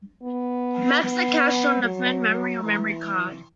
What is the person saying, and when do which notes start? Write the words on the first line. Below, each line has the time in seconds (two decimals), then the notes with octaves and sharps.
Maps are cached on the phone memory or memorycard.
0.23 B3
1.03 B3
1.84 F#3
2.64 E3